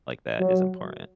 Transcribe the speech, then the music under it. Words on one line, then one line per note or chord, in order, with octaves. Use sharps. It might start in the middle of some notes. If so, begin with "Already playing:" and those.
like that is important.
F#3